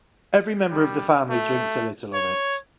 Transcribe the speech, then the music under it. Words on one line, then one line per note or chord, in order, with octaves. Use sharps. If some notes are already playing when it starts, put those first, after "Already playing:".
Every member of the family drinks a little of it.
G3
A3
C#5